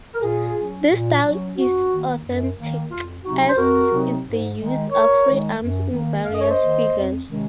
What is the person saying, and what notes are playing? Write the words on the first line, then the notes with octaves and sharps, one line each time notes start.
This style is authentic, as is the use of free arms in various figures.
A#4
A#2 F4 G#4
F#3 C#4
A#2
F#3 C#4
F#2 F#4
D#3 A#3
F#2
D#3 A#3
F2 F4
C3 F#3 C4 D#4 F#4
C5
F2 F#4 A#4
C3 F#3 C4 D#4
G#2
D#3 G#3 D#4
G#2 A#4 C#5
D#3 G#3 D#4
F#2
D#3 A#3
F#2 F5
D#5
C#5
C5 D#5
D#3 A#3
F2
C3 D#3 G#3 C#4